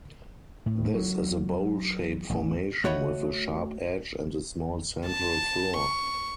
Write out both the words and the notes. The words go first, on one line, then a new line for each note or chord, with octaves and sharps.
This is a bowl-shaped formation with a sharp edge and a small central floor.
A2
F#3
A1
A3 F#4 C#5 D#5 B5
A5
C#6